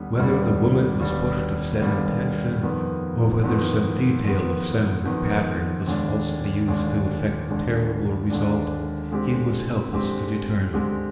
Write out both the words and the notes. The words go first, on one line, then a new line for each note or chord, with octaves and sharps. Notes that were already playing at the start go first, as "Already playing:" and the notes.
Whether the woman was pushed of set intention, or whether some detail of sound and pattern was falsely used to effect the terrible result, he was helpless to determine.
Already playing: D#2 D3 G3 B3
D#2 D3 G3 B3
D#2 D3 G3 B3
D#2 D3 G3 B3
F2 D#3 B3
F2 D#3 B3
F2 D#3 B3
F2 D#3 B3
D#2 D3 G#3 D4
D#2 D3 G#3 D4
D#2 D3 G#3 D4
D#2 D3 G#3 D4
D3 G#3 C4 G4
D3 G#3 C4 G4
D3 G#3 C4 G4